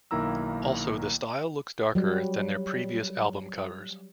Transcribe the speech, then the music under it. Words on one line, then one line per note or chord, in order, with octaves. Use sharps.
Also, the style looks darker than their previous album covers.
B1 D#3 A#3 E4 A#5 E6
F#3 G3